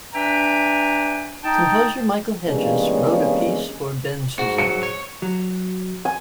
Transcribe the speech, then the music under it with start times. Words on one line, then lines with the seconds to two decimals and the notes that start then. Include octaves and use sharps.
Composer Michael Hedges wrote a piece for Bensusan.
0.14 D4 B4 E5 G5 G#5 A#5
1.43 D#4 G5 A5
2.48 E2 G2 C#3 G#3 A#3 C#4
4.39 G#2 F#4
4.58 F#3 C#7
4.83 C#5
5.22 F#3
6.05 G#5